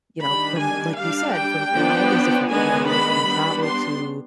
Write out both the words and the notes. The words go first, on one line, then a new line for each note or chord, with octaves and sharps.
you know, from like you said, from in all these different areas, from travel to,
D#3 G3 D4 B5
G#5
G3 D4 F5
G5
F3 B3 D4
D#3 G#3 B3 D4 G#5
B5
G3 B3 D4
C6